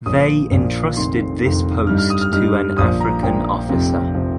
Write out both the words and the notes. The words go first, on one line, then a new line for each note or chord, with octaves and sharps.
They entrusted this post to an African officer.
A#1 A#2 F3 D#6
A#1 A#2 F3
F1 F2 D#3 C6
F1 F2 D#3
G2 G3 D#4 F6
F6
D#6
F6
G2 G3 D#4 F6
A#1 A#2 F3 D#6
A#5
A#1 A#2 F3 G5
F1 F2 C3 F3
C3 F3